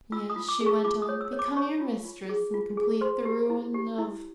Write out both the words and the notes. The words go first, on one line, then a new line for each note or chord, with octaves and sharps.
"Yes," she went on, "become your mistress, and complete the ruin of..."
F4 E6
D#6
F4
D6
G#4
C#6
F4 D6
D#6
C#5
E6
C#5
D6
C#5 C#6
F4
F4
G#4
F4
G#4
C5 C6
G4
E4
G4
E4